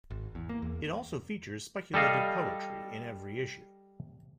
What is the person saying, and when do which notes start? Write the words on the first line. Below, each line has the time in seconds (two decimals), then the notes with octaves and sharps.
It also features speculative poetry in every issue.
0.11 G#1
0.35 E2
0.49 A#3
0.62 E2
1.94 G3 A4 D#5 F5